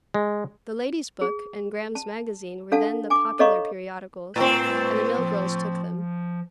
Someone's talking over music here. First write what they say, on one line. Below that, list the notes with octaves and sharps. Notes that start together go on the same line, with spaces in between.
"The Lady's Book" and "Graham's Magazine" were then the popular periodicals, and the mill-girls took them.
G#3
G#4
A5
D4 A4 F5 F#5 A5
G#5 D6
A4 C#5 D#5 F5 A#5 C#6
A2 C4 B4 G5
F3